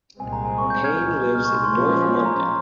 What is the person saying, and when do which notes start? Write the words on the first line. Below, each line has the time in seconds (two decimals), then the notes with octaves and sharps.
Payne lives in North London.
0.19 C2 A#2 G#3 C4 G#5
0.33 A#5
0.45 G#5
0.58 C#6
0.70 G6
0.84 F6 G#6
0.97 C2 A#2 G#3 G6
1.35 F6
1.45 C#6
1.54 C6
1.64 C6
1.74 A#2 F3 G#3 C#4
2.12 G#5
2.25 A#5
2.37 C6